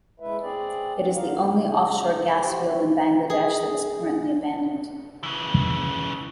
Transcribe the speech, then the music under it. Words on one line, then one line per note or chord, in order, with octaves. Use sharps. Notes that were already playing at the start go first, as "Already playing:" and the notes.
It is the only offshore gas field in Bangladesh that is currently abandoned.
G#3 E4 B4 E5
C4 G#4 D5
D3 D#4 F5
C#3
F#4 G4 C5 G5
G#4
C#3 E3